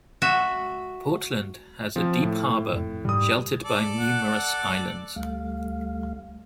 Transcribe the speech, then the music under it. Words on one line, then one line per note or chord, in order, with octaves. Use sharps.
Portland has a deep harbor sheltered by numerous islands.
F#4 E5
F3 C4
A2
F2
G#2 G3 D#6
A4 D5
F#5
D2 G3 A3 F5